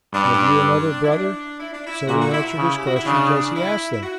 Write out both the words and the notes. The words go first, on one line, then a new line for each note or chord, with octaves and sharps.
Have you another brother?' So we answered his questions as he asked them.
G2 D4
C#4
D4
E4
D4
E4
D4
E4
A#2 F#4
F#4
E4
E4
C#3
G4
F#4
E4
C#3 D4
E4
E4
F#4